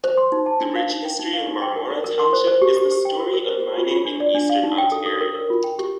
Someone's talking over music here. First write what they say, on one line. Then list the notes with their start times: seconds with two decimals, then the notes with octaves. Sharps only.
The rich history of Marmora Township is the story of mining in Eastern Ontario.
0.04 C5
0.17 C6
0.32 D#4
0.46 A5
0.61 D4
0.76 F5
0.90 D#4
1.05 G5
1.19 D#4
1.34 F5
1.47 D#4
1.62 G5
1.76 A#4
1.90 A#4
2.04 A#4
2.20 C6
2.33 C5
2.47 C5
2.62 G4
2.77 G4
2.92 G4
3.05 G5
3.20 A#4
3.33 A#4
3.49 C5
3.63 C5
3.78 F4
3.91 F4
4.05 D4
4.20 D5
4.35 D4
4.50 F5
4.63 D#4
4.78 G5
4.92 A4
5.06 A4
5.21 A#4
5.35 A#4
5.50 F4
5.64 G5
5.79 G4